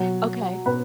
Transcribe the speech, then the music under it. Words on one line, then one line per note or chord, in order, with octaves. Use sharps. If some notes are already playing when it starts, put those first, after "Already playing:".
o o Okay.
Already playing: B2 F#3 F#4
B2 B3 B4